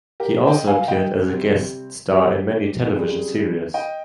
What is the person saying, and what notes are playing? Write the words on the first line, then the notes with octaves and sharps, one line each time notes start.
He also appeared as a guest star in many television series.
G4 A#4
D#5 G5
F5 G#5
F5
D#5 G5
C3 G3 C4
G4
C#3 G3 C4 G#4
D#5 G5